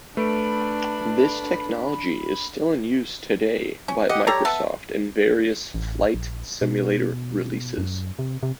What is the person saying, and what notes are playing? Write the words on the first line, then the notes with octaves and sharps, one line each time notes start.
This technology is still in use today by Microsoft in various Flight Simulator releases.
A3 D4 B4 B5 D7
C#4
G4 D#5 F#5
G3 G4 A4 C#5 A#5
B3 A4 E5
A1
A#1
B2
F#2
C3
C3